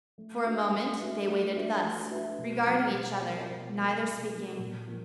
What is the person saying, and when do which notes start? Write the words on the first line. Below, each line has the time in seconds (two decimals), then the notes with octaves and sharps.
For a moment they waited thus, regarding each other, neither speaking.
0.18 A3
0.45 D4 F#4 B4 E5
0.73 A3
1.01 D4 F#4 B4 E5
1.27 A3
1.55 D4 F#4 B4 E5
1.83 A3
2.11 D4 F#4 B4 E5
2.38 B2
2.66 F#3 A#3
2.93 B2
3.21 F#3 A#3
3.49 B2
3.76 F#3 A#3
4.03 B2
4.31 F#3
4.36 A#3
4.59 A#2
4.87 F3 A#3